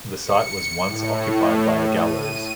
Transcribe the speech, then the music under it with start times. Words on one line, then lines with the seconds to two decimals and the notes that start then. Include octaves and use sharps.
The site was once occupied by a gallows.
0.20 C#7
0.85 A2
1.97 D#7